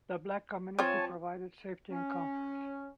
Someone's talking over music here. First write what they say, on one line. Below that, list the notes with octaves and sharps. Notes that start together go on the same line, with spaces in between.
The Black community provided safety and comfort.
F3 C4 F4 C#5 G#5 A5
C#4